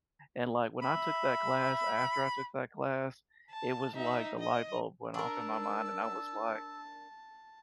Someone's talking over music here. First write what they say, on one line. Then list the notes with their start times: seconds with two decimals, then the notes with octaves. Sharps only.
And, like, when I took that class, after I took that class, it was like the light bulb went off in my mind. And I was like
0.82 E5 B5
3.51 A5
3.95 D#4 E5
4.39 D#5
5.14 D4 A#4 A5 E6